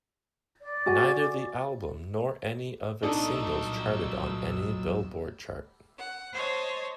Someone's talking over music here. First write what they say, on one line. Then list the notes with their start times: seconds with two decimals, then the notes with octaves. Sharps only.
Neither the album nor any of its singles charted on any Billboard chart.
0.61 D5
0.86 F#4 G#5
3.03 C2 A#2 F#3 D4 D#4 A4 D#5 E6
5.97 F#5
6.33 C5 C#5 D#5 A5